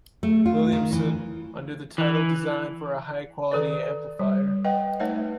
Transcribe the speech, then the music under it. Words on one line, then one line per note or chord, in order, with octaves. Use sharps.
Williamson, under the title Design for a High-quality Amplifier.
A3
F4
D#3
E3
E3
D#3 A4 B4 D5
G3
B4 D#5 F#5 G5
A3 D#4 B4 C#5 E5 F#5